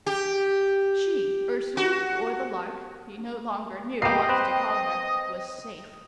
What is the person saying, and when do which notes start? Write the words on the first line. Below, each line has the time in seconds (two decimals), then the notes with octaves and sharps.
She, Ursule or the Lark, he no longer knew what to call her, was safe.
0.06 G4
1.77 F#4
4.02 A#3 B3 G4 D#5 G5 C7
4.29 C4 B4